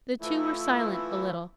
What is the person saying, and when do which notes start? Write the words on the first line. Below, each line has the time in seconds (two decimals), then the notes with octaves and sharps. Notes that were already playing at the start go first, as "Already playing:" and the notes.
The two were silent a little.
0.21 E3 F3 A3 E4